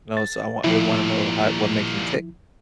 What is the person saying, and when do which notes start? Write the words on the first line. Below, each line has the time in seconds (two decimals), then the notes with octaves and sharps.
You know, so I wou I would wanna know how what makes him tick,
0.17 A6
0.64 D#2 A#2 F3 E4